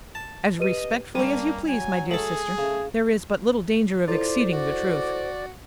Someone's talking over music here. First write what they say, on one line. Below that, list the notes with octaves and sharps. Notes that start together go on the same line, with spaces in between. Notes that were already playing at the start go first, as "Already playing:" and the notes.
"As respectfully as you please, my dear sister; there is but little danger of exceeding the truth."
A5
G4 B4 D#5 D#7
G3 A#3 C#4 D4 D#7
F#3 G#5
A3 G#4 A4 F#7
C#3 A3
E4 F4 A4 C5 D5
F#4